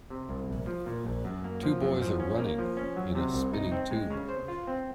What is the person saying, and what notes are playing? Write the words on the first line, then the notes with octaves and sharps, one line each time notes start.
Two boys are running in a spinning tube.
C3
C2
A#1
F3
A#2
A#1
F#2
A#3
F3
F#2
F3
C#4
A#3
F3
C#4
F#3
C3
C2
D#4
C4
G#3
C#3
C5
F4
C4